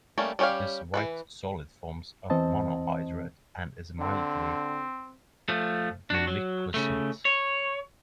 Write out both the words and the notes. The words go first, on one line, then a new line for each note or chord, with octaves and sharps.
This white solid forms a monohydrate and is mildly deliquescent.
G3 A3 A#3 C#4
G3 C#4 G4 C#5 F5
E3 A3 B4
E2 E3 C4 C5 D#5 A5
D3 C4
F3 A3
D4 F#4
F#3
C#3 A3
C#5